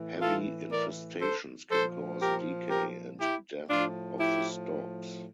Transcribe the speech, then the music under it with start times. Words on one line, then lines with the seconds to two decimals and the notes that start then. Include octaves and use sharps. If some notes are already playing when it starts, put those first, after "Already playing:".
Heavy infestations can cause decay and death of the stalks.
Already playing: A2 E3
0.21 F4 A4
0.71 A#4 D5
1.21 A4 C5
1.70 A#2 F3 A4 C5
2.20 G4 A#4
2.70 G4 A#4
3.20 E4 G4
3.69 A2 F3 D4 F4
4.19 E4 G4